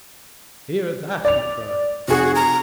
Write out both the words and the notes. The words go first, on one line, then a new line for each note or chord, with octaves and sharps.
"Hear that!" he cried.
D5 F7
F1 F#4 G#4
A#5